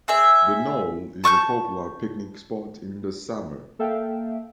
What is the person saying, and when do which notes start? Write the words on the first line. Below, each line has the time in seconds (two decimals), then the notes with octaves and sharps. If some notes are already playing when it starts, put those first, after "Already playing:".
The knoll is a popular picnic spot in the summer.
0.08 C4 G#4 E5
1.24 A5 C#6 F#6 G6
3.79 A#3 A4 E5 F5 G5